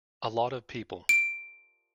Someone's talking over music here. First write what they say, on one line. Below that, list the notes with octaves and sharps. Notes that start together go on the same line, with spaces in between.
A lot of people.
D7